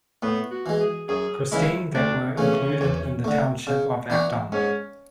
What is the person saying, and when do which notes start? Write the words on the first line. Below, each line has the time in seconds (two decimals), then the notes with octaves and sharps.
Christine that were included in the township of Acton.
0.22 A2 B3
0.51 F#4
0.66 E3 G#3
0.80 G#4
1.09 F#2 G#4
1.52 C#3 E3 G#3 E4
1.95 D2 D4
2.38 C#3 E3 A3 C#4
2.81 E2
3.24 D3 A3
3.67 C#3
4.10 E3 B3 D4 F#4
4.52 G#2 C#4